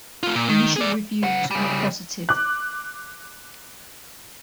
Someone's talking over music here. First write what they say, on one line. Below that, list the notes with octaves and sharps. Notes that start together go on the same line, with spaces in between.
Initial reviews were positive.
A3 F4
A#2
D#3
G#4 D5
C#3 F#5
C#3 G3
D6 F#6